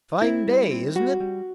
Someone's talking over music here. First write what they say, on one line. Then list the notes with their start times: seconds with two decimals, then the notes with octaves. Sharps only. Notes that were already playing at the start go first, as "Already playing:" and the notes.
"Fine day, isn't it?"
0.22 C4 E4
0.47 G3
0.71 C4
0.95 G3 F#4
1.20 G3